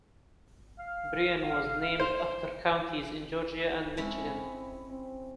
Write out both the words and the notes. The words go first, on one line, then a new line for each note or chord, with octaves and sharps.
"Berrien" was named after counties in Georgia and Michigan.
F5
C5
G#3 C4 C#4 E4
C4